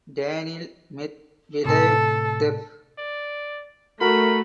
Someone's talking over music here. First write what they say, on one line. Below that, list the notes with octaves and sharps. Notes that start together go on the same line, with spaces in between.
Daniil Medvedev def.
A2 C3 A4
D5
A3 F#4 A#4 B5